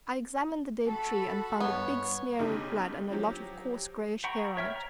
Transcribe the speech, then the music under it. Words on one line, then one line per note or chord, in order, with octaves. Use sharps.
I examined the dead tree and found a big smear of blood and a lot of coarse greyish hair on it.
F#4 A4 B5
G2 B3 C#5
F1 B1 C#3 D#4 G4 D6
F3 F#3 G4
F#5 G5 A#5 B5 C#6
C#5 E5 G5 F6
A#5